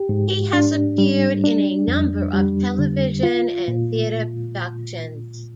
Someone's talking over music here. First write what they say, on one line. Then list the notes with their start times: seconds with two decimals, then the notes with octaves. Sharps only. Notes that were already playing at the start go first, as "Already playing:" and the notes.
He has appeared in a number of television and theatre productions.
Already playing: G4
0.09 G#2
0.53 D4
0.98 G3
1.44 D4
1.88 F2
2.33 G3
2.79 D3
3.23 F4
3.68 A#2